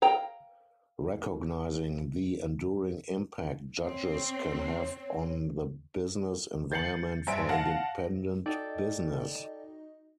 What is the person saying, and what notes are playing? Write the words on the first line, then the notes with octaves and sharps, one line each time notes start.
Recognizing the enduring impact judges can have on the business environment for independent business.
F5 G5 A#5
C4 C#5
G6 A6 C7 C#7 F#7
G2 C5 E5 G#5 D7
F5 F#5 A5 A#6
D#4 F#4 A4 D5 D#5 G5